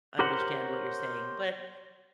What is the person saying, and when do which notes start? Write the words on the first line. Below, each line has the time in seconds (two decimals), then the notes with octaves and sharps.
understand what you're saying, but
0.19 G4 A#4 C5 C#5 F#5